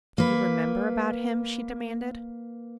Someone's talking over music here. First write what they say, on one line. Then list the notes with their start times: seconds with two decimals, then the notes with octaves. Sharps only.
"Do you remember about him?" she demanded.
0.18 A#3 B4